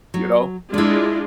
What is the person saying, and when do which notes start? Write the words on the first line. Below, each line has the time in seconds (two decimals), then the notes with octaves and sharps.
you know?
0.14 F#3
0.74 G#3 D4 E4 F4 D5